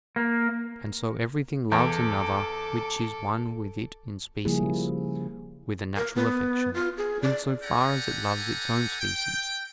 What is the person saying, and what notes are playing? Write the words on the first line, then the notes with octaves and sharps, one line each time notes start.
And so everything loves another which is one with it in species, with a natural affection, in so far as it loves its own species.
A#3
E2 A4 D6
C#3 F3 G3 A#3 E4 G#4
A#4
B3
F4
G#4
D5
G4 A4 F#5 G#5 A#5
G5